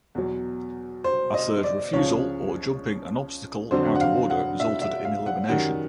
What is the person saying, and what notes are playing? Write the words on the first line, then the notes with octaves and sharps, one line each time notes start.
A third refusal or jumping an obstacle out of order resulted in elimination.
E2 B2 F#3
C5
D#5
D5
C#2 C#3 F3 C#5
F2 D3 F#3 C5
F#5
F5
F#5
E5
E5
F5
F#5
F#2 D#3 G3 F#5